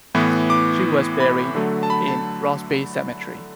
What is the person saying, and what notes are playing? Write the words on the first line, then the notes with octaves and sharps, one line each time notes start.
She was buried in Ross Bay Cemetery.
A2 E3 B3
D6
B5
D3 F#3 A3
A5
B5
A5